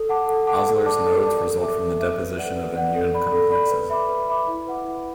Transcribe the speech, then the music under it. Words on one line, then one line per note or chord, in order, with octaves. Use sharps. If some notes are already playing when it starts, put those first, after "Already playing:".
Osler's nodes result from the deposition of immune complexes.
Already playing: A4
F#5 A5 D6
A4
F#5 A5 D6
A4
D5 A5 D6
A4
D5 A5 D6
A4
E5 D6
A4
E5 D6
B4
D5 F#5
B4
D5 F#5
A4
D5 B5
A4
D5 B5
B4
E5 B5 D6
B4
E5 B5 D6
E4
B4 F#5 D6
E4